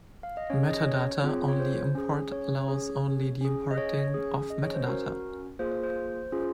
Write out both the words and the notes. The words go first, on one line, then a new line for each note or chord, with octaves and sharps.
MetaData only import allows only the importing of MetaData.
F5
D#5
C#4 G#4 C#5
D#5
C#5
C4 F4 G#4
C#5
C5
C#4 G#4
C#5
C#4 G#4
C#4 G#4
D#5
C#5
C#4 G#4
D#5
C#5
C5
C#4 F#4 A#4
A#3 F4 G#4 C5
C5
C5
C#4 F4 G#4